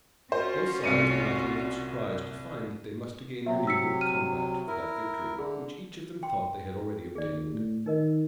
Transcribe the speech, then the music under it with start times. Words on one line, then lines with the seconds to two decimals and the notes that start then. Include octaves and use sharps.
Both sides were not a little surprised to find that they must again renew the combat for that victory which each of them thought they had already obtained.
0.32 C#4 F4 F#4 C5
0.84 C2 C#7 D#7
3.46 C3 F#3 E5
3.67 E6 B6 C#7
4.01 F6 D#7
4.68 E4 A#4
5.39 D3 G#4
6.23 G5 C6
7.15 D#2 G#4 D5
7.54 A2
7.86 D#3 D#4 A#4 D#5